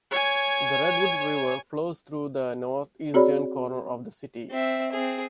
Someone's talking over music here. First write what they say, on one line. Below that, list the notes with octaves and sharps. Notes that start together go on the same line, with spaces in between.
The Redwood River flows through the northeastern corner of the city.
C#5 G#5
C4 F#4 G#4 C#5 D5 B5
C4 E5
C4 G#4